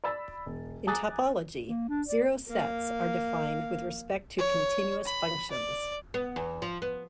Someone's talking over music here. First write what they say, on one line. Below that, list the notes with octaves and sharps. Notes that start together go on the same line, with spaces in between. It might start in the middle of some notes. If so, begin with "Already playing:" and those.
In topology, zero sets are defined with respect to continuous functions.
D5 B5 E6 A6
E1
G#5 A#5 D6 D#6 F#6 A6
A#3
D4
D5
A#3 F5
C#5
B5
D5
B3
E2
F3
B3